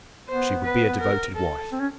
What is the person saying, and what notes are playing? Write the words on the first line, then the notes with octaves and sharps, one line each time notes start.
She would be a devoted wife.
B3 C5
B4
A#4
A4
C4
C#4